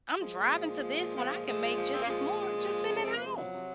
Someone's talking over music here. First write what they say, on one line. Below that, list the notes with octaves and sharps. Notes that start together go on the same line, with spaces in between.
"I'm driving to this when I can make just as more just sitting at home."
F3 G#3
A#2
F3
A#2
F3
A#2
F3
A#2
F3 G#3
A#2
F3
A#2 C4
A#3
F3 G#3
A#2
F3
A#2
F3
C3
C#4
F3 C4
A#3
C3 G#3
F3 F#3
C3